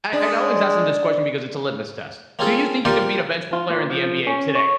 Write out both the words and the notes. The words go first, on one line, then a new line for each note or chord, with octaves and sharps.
I I'd always ask them this question because it's a litmus test, "Do you think you can beat a bench player in the NBA today?"
G#3 D4
A#3 C4 C#4 F4 G#4 A4
A#3 F4 G4 A#4 C5 D5
F4
A#2
F3
C#4
C#5